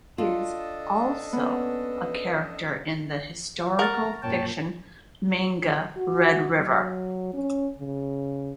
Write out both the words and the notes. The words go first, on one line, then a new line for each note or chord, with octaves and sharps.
He is also a character in the historical fiction manga "Red River".
D4 F4 A4 D#5
B3 C#4 B4
A#4 F#5 A#5 C#6 F6 A6
F#2 A#2 C#5 G5 A5
F#4
F#3
C#4
C#3